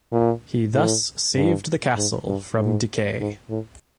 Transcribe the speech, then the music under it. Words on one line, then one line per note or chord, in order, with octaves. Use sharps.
He thus saved the castle from decay.
A#2
A2
G2
G#2
G2
G#2
G#2
A2